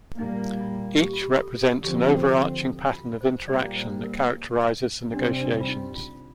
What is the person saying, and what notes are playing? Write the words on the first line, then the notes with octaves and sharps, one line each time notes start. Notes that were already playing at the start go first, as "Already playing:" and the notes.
Each represents an overarching pattern of interaction that characterizes the negotiations.
A#2 G3 A#3 D#4
F4
G4
F4
G4
A4
A#4
D3 F3 C4 G4
A4
F4
C5
A#2 G3 A#3 D5
C5
A#4
C3 G3 C4 D4
D4
F4
D#4
F4